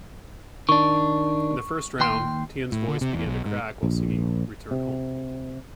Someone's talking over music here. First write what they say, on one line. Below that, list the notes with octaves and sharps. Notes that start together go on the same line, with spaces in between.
In the first round, Tien's voice began to crack while singing "Return Home".
D#3 D4 C#6
D#2 G5 C6
A2
D3
C3
E2
B1
G#2
A#1
C3